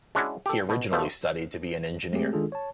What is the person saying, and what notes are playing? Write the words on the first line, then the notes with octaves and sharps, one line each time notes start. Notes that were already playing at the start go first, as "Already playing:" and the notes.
He originally studied to be an engineer.
G#3 C#4 D4 E4 F#4
G4 A4
B2
B2 F3 A3
G#3 A3 C4 G4 G#4
D#3 G#3 D4 F4 G#4 A4
C#5 A5